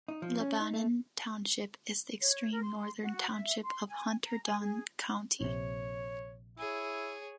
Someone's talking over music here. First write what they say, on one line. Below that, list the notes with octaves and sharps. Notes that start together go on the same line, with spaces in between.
Lebanon Township is the extreme northern township of Hunterdon County.
D#4
F3
C#4
D#4
A3
C#5
A#4
C6
F#4
E5
C6
G#5
A#5
G#5
G#4
A#1 C3 C#5
E4 G#4 C#5